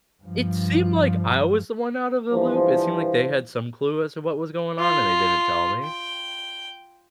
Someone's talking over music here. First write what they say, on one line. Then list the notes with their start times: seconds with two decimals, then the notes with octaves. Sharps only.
It seemed like I was the one outta the loop. It seemed like they had some clue as to what was going on, and they didn't tell me.
0.23 G2 F3
2.32 G2 E3 F3
4.79 F4
5.84 G5